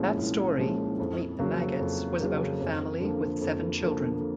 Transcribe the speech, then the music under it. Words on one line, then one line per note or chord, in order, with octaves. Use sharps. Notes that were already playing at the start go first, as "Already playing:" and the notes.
That story, "Meet the Maggots", was about a family with seven children.
Already playing: C2 A#2 F3 G#3 C#4
C2
A#2 F3 G#3 C#4
F2
C#3 F#3 A#3
F2
C#3 F#3 A#3
F2
D3 F3 A#3
F2
D3 F3 A#3